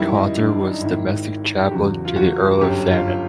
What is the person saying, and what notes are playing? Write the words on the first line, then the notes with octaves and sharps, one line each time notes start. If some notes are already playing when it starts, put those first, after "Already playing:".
Caunter was Domestic Chaplain to the Earl of Thanet.
Already playing: F#2 D#3 G3 E4
D#4
D4
D4
D#4
G#1 G#2 D#3 E4
G4
E2 C#3 F#3 F#4
F4
F#4
G1 F#2 D3 G4
F4